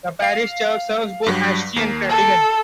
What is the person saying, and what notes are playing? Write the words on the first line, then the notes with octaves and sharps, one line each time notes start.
The parish church serves both Aeschi and Krattigen.
F5 C7
G2 F#3 G3
D#2 A#3 C7
A4